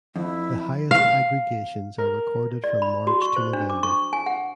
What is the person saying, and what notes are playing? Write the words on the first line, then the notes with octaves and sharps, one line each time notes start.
The highest aggregations are recorded from March to November.
F2 E4
F5
A#4
D5
B5
F#4
C#6
C5
D4
D6
C#6
G#5
F#5